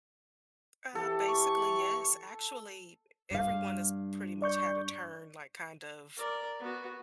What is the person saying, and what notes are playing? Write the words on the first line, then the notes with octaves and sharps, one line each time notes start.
Uh, basically, yes. Actually, everyone has pretty much had a turn, like, kind of,
E3 G4 A4
C#6
G2 F5
D5 C#6 G6
A#4 D5
B3 F#4